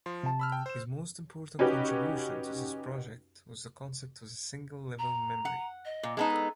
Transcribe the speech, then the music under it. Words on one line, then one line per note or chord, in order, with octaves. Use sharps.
His most important contribution to this project was the concept of the single-level memory.
F3 C6
C3 A5
B5 E6 F6
G5
C5 E7
C#3 C#4 D#4 F#4 G4 B4
A#5
F#5
D#5
A#2
G#3 B3 D#4 A5
A4